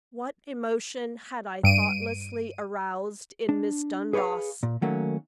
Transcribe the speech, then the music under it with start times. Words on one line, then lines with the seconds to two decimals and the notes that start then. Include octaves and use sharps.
WHAT emotion had I thoughtlessly aroused in Miss Dunross?
1.63 G2 D7 D#7
3.49 D4
4.13 G#4 B4 C#5 D5 F5
4.63 A#2
4.82 D#3 F#3 A3 A#3 C#4